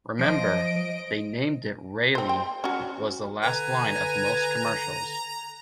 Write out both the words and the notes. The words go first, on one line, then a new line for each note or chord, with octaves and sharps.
"Remember, They named it Rely" was the last line of most commercials.
F3 D#5 D7
C4 C5
G5
C#4 F#4
D3 B4 G#5 A#5